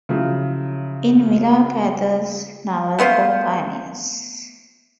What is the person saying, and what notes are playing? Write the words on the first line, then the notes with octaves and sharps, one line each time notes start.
In Willa Cather's novel O Pioneers!
C#3 F3 F#3 E4
A3 B3 F4 C5